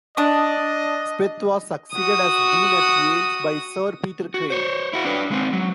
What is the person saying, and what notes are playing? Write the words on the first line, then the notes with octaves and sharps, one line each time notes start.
Speth was succeeded as Dean at Yale by Sir Peter Crane.
D4 D#5 D#6
F#4 D#6
F#4
C5 C#5
E4 F#4
D4 B4
G#3 C4
F#3